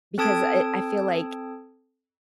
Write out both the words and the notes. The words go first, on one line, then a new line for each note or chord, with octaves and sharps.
because, uh, eh, I feel, like,
C4 A4 A5 D#6 G#6 D7